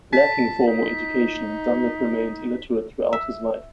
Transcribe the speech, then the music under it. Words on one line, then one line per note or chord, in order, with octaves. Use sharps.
Lacking formal education, Dunlap remained illiterate throughout his life.
A5 B6
D#4
E5